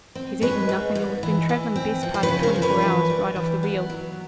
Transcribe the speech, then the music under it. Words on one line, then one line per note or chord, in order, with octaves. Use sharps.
He's eaten nothing, and we've been travelling best part of twenty-four hours right off the reel.'
C4
G#3 B4 C#5
G#2
G#2
E3
E3
C4
F3
C5
B4 C#5
C#3
A#4 C5
F3
B4 C#5
E3
G3
E3
B3
F#3